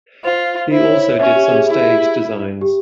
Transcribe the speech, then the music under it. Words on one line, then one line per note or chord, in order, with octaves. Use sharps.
He also did some stage designs.
F4 C5
E4 C5
C#5
E5
C#4 E5
G4
G#4
E4
G4